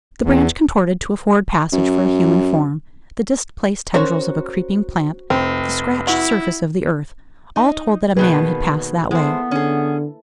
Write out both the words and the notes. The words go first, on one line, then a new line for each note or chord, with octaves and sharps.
The branch contorted to afford passage for a human form--the displaced tendrils of a creeping plant-- the scratched surface of the earth--all told that a man had passed that way.
E2
F#2
C#4 F#4 A#4 C5 C#5
F1 C4
E4 F#4
D#4
B2 D#3 A#3 G#4 B4
G#3 B3 E4 A4 C5
D3 C#4 G#4